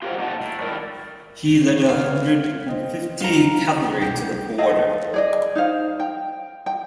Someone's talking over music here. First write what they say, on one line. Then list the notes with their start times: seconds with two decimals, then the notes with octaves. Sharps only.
He led a hundred and fifty cavalry to the border.
0.02 F4 G4 A#4 C5 F#5 A#5
0.18 A#2 D4 D#4 F#5 A5
0.41 A2
0.61 D#3 E4 A#4 D5
1.88 G#3 C#4 B4 D5 F5
2.67 C5 D#5 G5
3.20 D3 F#4 F5 A#5 G7
4.02 C2 B2 G4 G#4 F#5
4.58 G#4 A4 D#5 F5
5.14 G#4 D5 D#5
5.55 D#4 C5 F5
6.00 G5
6.66 G5